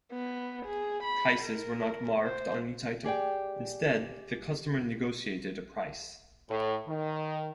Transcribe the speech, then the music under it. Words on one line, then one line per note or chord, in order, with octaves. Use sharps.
Prices were not marked on each item; instead the customer negotiated a price.
B3
G#4
B5
A#4
C5
G4 G#4 D5 G5
A2
D#3